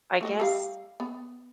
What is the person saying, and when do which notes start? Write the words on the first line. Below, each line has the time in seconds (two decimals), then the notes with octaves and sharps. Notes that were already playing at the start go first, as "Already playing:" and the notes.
I guess
0.21 A3 F#4 D#5
0.40 G3 A#4 F5
1.00 B3